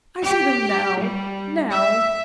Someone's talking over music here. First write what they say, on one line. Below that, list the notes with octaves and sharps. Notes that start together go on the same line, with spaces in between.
I see them now--now!'
G4
G3
E5